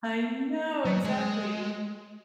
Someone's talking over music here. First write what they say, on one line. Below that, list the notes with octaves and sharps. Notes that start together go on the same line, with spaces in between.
I know, exactly.
F#3
G#3